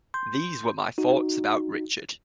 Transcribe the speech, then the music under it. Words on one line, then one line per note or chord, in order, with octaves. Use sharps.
These were my thoughts about Richard.
C6 G6
D#4 F#4